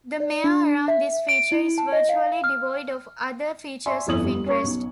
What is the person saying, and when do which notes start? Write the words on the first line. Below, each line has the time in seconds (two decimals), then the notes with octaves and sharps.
The mare around this feature is virtually devoid of other features of interest.
0.20 D5
0.44 D4
0.88 E5
1.29 D7
1.52 E4
1.78 A5
1.92 D#5
2.09 F5
2.44 F6
3.86 D5 E5 G#5 C6 C#6
4.07 G1 F2 E4 D#6 F#7
4.24 G3
4.46 C#4 C#5 C#6
4.64 B1